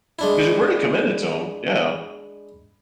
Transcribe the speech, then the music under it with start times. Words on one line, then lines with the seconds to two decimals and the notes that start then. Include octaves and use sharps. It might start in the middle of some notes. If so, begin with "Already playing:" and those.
'Cause you're pretty committed to 'em, yeah.
0.19 G#3 D4 E4